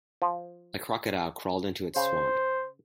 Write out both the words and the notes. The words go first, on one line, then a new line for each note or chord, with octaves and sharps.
The Crocodile crawled into its swamp.
F3
C#3 C5